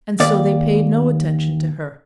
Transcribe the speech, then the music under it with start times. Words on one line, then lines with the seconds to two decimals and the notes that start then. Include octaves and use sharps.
And so they paid no attention to her.
0.20 D#2 D5